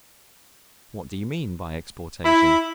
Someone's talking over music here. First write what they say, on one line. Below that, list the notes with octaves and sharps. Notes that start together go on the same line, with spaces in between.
What do you mean by Exportation?
E4